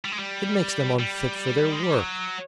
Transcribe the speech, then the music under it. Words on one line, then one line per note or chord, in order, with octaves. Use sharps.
It makes them unfit for their work.
G3
G#3
G3
G3
G#3
G3
F#3